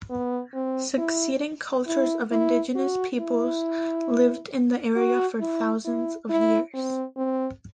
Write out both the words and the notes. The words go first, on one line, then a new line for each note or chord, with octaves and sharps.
Succeeding cultures of indigenous peoples lived in the area for thousands of years.
B3
C4
E4
E4
E4
F#4
E4
F#4
E4
E4
E4
C4
C4